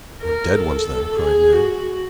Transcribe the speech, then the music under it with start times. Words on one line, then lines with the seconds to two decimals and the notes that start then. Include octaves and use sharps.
"We're dead ones, then!" cried Ned.
0.21 A#4
0.54 A4
1.19 G#4
1.52 F#4